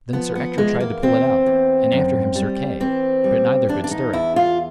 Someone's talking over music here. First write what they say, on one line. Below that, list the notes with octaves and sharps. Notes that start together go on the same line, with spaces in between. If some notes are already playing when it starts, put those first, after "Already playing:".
Then Sir Ector tried to pull it out, and after him Sir Kay; but neither could stir it.
F3 B3
B3
E2 G#3
A#3
E2 C4
E2
F#2
G3
E3 C4
G3
E2 D4
D4
D#4
E2 E4
F4